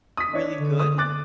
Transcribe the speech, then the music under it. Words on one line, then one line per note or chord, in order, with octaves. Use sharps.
really good?
D#6 B6
D4 C#5
D3
D#6
D6 F#6 A6